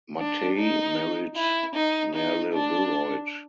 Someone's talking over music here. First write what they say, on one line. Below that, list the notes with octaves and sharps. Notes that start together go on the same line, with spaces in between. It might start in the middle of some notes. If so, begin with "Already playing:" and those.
Mattei married Merle Wilhoit.
D4
D#4
E4
D#4
D#4
D4